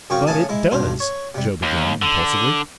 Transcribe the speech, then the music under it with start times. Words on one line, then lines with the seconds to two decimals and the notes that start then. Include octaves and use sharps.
"But it does"--Joe began, impulsively.
0.10 F#2 C#3 C4 F4 G5 C#6
0.27 A2 C#3 G#5 A5 D#6
0.49 G#3 E4
0.71 B1 G2 C5
1.00 C#5
1.35 C3 G3
1.63 D#2
2.02 D3